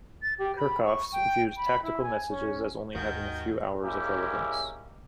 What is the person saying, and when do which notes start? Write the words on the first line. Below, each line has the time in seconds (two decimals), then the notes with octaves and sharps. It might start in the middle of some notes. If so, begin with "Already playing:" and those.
Kerckhoffs viewed tactical messages as only having a few hours of relevance.
0.22 A6
0.38 G4
0.57 B5
0.85 C#6
1.12 G5
1.57 B5
1.83 E4
2.02 G#5
2.29 C#4
2.95 D#2 G#2 D#3 F#4 G6
3.83 A#2 G#3 A#3 C#4 E4 G4